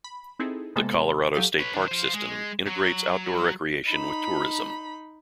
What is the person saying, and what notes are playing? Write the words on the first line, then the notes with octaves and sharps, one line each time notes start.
The Colorado State Parks system integrates outdoor recreation with tourism.
B5
C4 D#4 E4 G#4 A4
C3 G#3 A#3 B3 A4
F#3 G4 A4 F5 D#7
B4 C#5
D#3 D4
F4 C5
G#3
F#3
D#4 B5